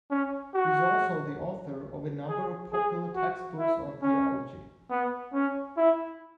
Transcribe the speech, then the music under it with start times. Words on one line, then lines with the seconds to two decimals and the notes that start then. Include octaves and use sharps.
He is also the author of a number of popular textbooks on theology.
0.11 C#4
0.54 F#4
2.29 G#4
2.72 G#4
3.15 F#4
3.58 E4
4.02 C#4
4.90 B3
5.34 C#4
5.77 E4